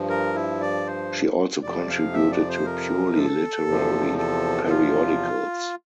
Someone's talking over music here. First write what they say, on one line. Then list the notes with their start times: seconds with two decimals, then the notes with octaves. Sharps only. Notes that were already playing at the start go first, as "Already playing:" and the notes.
She also contributed to purely literary periodicals.
Already playing: G2 F3
0.09 A#4
0.35 E4
0.61 D5
0.87 C5
1.62 F2 C3 F3 D5
1.89 F5
2.14 E5
2.31 D5
2.48 C5
2.65 A#4
3.16 A4
3.66 E2 C3 F3
4.18 A4
4.68 F4